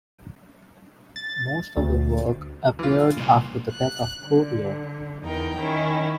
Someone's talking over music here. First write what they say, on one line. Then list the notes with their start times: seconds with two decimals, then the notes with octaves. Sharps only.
Most of the work appeared after the death of Cuvier.
1.16 A6
1.77 D2
2.79 E3 F4
3.17 C2 A#2
3.71 F#6
4.24 D3
5.23 E2 D#4 A#4 G5
5.60 D#3 C#4 E4